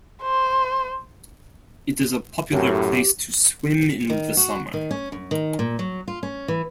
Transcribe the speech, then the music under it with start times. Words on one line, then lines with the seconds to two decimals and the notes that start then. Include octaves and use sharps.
It is a popular place to swim in the summer.
0.23 C5
2.52 F#2 A2 G4
4.10 D#3
4.37 F#4
4.74 D#3
4.91 C#4
5.12 F#2
5.31 D#3
5.59 A#2
5.79 F#3
6.08 F4
6.23 C#4
6.48 E3